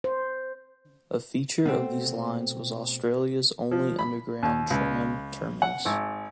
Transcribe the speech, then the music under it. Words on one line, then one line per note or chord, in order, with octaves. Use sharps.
A feature of these lines was Australia's only underground tram terminus.
C5
B2 A3 C4
F3
B5
D#2
C#2
F#5
G#1